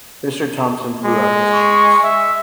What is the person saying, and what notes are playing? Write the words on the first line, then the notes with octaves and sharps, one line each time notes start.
Mr. Thompson blew out his cheeks.
G#3
C#6
E5